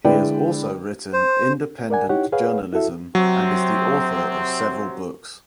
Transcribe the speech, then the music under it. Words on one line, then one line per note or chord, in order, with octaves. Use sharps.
He has also written independent journalism and is the author of several books.
D3 G#3 E4 B4 D5 G5
C5
A#4 D5 F#5 G#5
D#4 E4 G4 C#5 F#5
G#4 B4 C#5 F5 F#5
E4 F#4 A4 E5
C3 F#3 C4